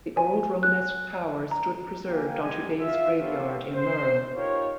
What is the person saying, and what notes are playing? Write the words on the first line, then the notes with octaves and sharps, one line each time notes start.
The old Romanesque tower stood preserved on today's graveyard in Merl.
G#5
F#6
A#5
A#3 G5 G#5
G3 G#3 D#4 G4 G#5
F4 E5
B3 G4 A4 C5 C#5 F5
C5
D#4 F4 G4 A#4 C#5